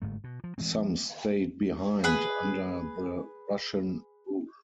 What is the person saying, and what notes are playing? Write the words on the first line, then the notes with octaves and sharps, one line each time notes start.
Some stayed behind under the Russian rule.
G1 G#2 A3
B2
F3
E3 G#3 A3 C4
F3
G#4 B4